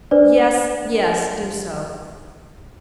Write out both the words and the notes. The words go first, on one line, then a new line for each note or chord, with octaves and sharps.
"Yes, yes, do so."
D4 B4 C5 D5